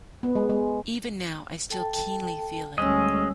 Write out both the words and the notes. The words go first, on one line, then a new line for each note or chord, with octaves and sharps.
Even now I still keenly feel it.
B3
G#3
G#3
A4 G5 A5
D2 G3 G#3 C#4 D#5 E6